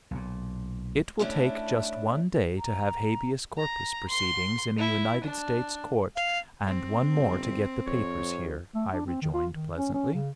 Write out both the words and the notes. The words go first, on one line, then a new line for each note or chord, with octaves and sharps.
"It will take just one day to have habeas corpus proceedings in a United States court, and one more to get the papers here," I rejoined pleasantly.
B1 A#2
A2 A3 C#4 D4 E4
A#5
A#5
C6
E4
D4
F5
C4
G1
F2 C#5
A3
D4
C4
D#3
F4
D#3
C#4
C#4
C#3